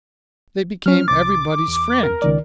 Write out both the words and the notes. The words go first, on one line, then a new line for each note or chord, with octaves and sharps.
They became everybody's friend.
F#3 C#4 F6
C2 D6 A6
E2
A#4
C#2 D#3 D5